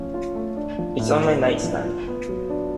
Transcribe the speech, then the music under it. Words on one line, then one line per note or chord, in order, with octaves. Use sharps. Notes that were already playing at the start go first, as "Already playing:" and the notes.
It's on my nightstand.
Already playing: F3 A3 C#4
F4
A3
D4
F3
A2
B3
D4
F3
F4
B3
F#3
D4